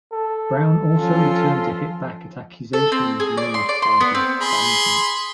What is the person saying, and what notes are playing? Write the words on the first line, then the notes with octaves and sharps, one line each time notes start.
Brown also returned to hit back at accusations made by his bandmates.
A4
F3 C#4 F4
A4
C4
G#4
D5
C6
D5
C6
B3
C4
G#4 B5 C6